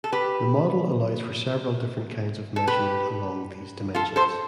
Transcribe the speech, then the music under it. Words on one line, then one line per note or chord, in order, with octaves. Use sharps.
The model allows for several different kinds of measurement along these dimensions.
A4
G4 B4
A4
G4 B4
F4 A4
A4 C5